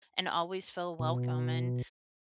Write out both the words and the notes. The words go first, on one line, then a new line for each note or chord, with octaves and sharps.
and always feel welcome, and
B2